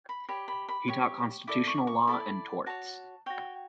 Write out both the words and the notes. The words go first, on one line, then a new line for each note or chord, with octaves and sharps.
He taught constitutional law and torts.
B5
G4 C#5 B5
B5
B5
G4 C#5 C#6
E4 A4 D5 D6
C#6
C#6
E4 A4 D5 B5
F#4 C#5 A5
F#4 C#5 G5